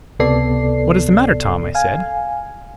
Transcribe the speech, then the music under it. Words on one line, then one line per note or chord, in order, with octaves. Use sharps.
"What is the matter, Tom?" I said.
C#2 C3 B3 A4 D5 C7
F5 G#5